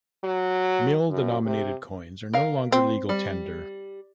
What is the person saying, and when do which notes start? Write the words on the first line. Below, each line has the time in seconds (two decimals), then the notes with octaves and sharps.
Mil-denominated coins are no longer legal tender.
0.24 F#3
1.10 F#2
1.45 C3
2.34 A#4 F5
2.72 C4
3.09 G3